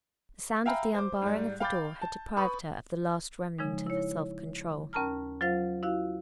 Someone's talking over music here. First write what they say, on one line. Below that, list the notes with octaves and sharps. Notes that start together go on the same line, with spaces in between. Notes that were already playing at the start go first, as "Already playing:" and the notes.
The sound of the unbarring of the door had deprived her of the last remnant of self-control.
E5 F5 G5 G#5 A#5 B5
C5 D6
G#2 G3
F5 G5 B5 D6 G6 A6
A5
B4 B5 C#6 D#6
C#3 F3 G#3 D#4
E4 C#5
D#2 C#4 A#4 A5 A#5 F6
F#3 F4 C5 F5 A6
E4 F#4 F5